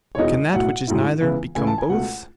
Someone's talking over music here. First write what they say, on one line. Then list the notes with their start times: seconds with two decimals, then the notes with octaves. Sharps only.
But can that which is neither become both?
0.15 C#5
0.19 E1 E2 B2 G#3 D#4 D#5
0.53 B1 A2 F#3 F#5
0.88 A1 G#2 F#3 C#4 E4
1.21 C#2 C#3 E3 B3 E4
1.55 C#2 C#3 E3 A3 E4 G#5
1.67 A5
1.78 G#5
1.88 C#2 B2 A3 F#5